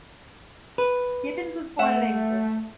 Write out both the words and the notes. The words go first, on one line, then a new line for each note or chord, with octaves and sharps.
Gibbons was born in England.
B4
A3 E5 F#5